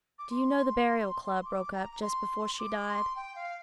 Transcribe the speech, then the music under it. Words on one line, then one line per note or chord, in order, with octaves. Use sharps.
Do you know the Burial Club broke up just before she died?
D6
C6
D6
A#5
A#5
C6
D6
C6
G5
F5